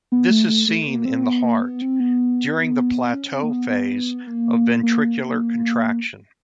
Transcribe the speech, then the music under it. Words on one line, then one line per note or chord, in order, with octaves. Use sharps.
This is seen in the heart, during the plateau phase of ventricular contraction.
B3
A3
A3
A3
A#3
C4
B3
A#3
B3
C4
B3
C#4
C4
A#3
B3
B3
A#3
A#3